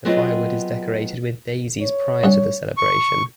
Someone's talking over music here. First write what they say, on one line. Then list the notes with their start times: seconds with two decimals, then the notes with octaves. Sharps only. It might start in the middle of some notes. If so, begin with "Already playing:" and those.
The firewood is decorated with daisies prior to the celebration.
0.05 F#3 B3 C4 F4 G#4 D#5
1.82 C#5
2.24 G2 C#4 F#5
2.78 C#6